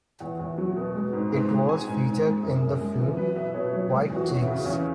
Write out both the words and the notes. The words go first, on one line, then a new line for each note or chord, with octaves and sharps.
It was featured in the film "White Chicks".
E2 F#5
E2
F#3
B2
G#3
G#2
G#2
G#3
G#3 G#5
G#2
G#2
G#3
F#2
F#2
G#3
E3
F#3 B4
B2 E5
B2 C#5
F#3 C#5
G#3 G#4
E2
F#4
E3 C#4
E4
C#3
E2 C#4